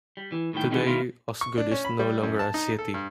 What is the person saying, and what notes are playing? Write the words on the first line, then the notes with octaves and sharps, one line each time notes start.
Today, Osgood is no longer a city.
G3
E3
A2 D#3 G3 G5
C3 D#3 E3 G3 G#3 B3
C2 B2 D#3 E4 F4
C#6
D4
C#4
B5
G3
F#2
A5
D#4
A4
G2